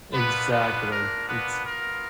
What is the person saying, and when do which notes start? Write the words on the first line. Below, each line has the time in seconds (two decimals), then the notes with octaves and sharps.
Exactly. Exa
0.13 A#3 B3 D4 F4 B4
0.51 B3 B4
0.90 A#4
1.27 B3 B4
1.66 B3 F4 A#4